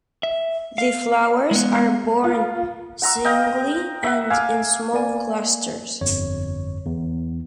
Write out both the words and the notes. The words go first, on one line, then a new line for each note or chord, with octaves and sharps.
The flowers are borne singly and in small clusters.
E5
F5
G#3 B3
F4
F#5 A#5 E6
D#5 F5 G5 A#5
E5 F#5
F5 G#5 D6 E6
A#3 D5 G#5
G1 F2 C#5
E2